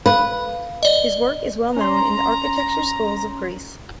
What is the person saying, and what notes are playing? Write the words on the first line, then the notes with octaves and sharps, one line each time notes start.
His work is well known in the architecture schools of Greece.
B4 F5
D5 D#5
C#4 A#5 C6